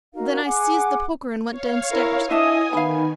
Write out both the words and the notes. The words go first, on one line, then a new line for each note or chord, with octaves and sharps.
Then I seized the poker and went downstairs.
D#4 F#4 A#4 F5
G#4 F#5 G#5 D6
C#5 F5
E4 A#4
D4 E4 D#5 E5 G#5 A5 D#6
D#3 B3 D#4 F5 G#5 B5